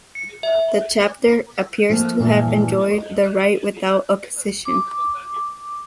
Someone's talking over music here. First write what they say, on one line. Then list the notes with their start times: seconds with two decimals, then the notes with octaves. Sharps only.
The chapter appears to have enjoyed the right without opposition.
0.15 C#7
0.43 E5
1.90 F3 A3 A#3 C4
2.18 G2 A#2 C#3 E3 F3
2.82 D#5
4.65 D6